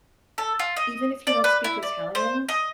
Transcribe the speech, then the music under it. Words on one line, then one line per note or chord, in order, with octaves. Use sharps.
even if you don't speak Italian
A4
F4
D#5
D5
B4
E4
D5
C5
D#5